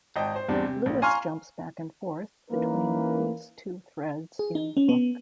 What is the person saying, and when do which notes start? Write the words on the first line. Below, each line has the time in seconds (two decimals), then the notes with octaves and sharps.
Lewis jumps back and forth between these two threads in the book.
0.16 G#1 D#5 G5 A5
0.36 C5
0.48 E2 G3 C4 D4
0.65 C3
0.86 A#1
1.02 F5 G#5 A#5 C6 C#6 F6
2.51 E3 A#3 C#4 D#4 A#4 B4
4.39 G#4
4.55 D#4
4.77 C#4
4.89 B3